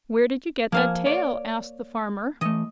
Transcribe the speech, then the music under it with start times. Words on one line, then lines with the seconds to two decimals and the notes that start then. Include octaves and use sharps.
"Where did you get that tail?" asked the farmer.
0.72 F3 A#3 C5 F5 G#5
1.06 C#5 D5
2.41 E3 A3 D#5